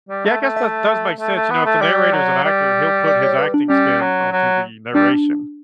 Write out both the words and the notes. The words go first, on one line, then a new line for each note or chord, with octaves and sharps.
Yeah, I guess that does make sense, you know, if the narrator's an actor, he'll put his acting spin onto the narration.
G3
A3
A3
E5
A3
A3
B3
A3
G3 D5
F#3
G3
D5
C#5
B4
D4
G3 C#4
F#3
F#3
G3 D4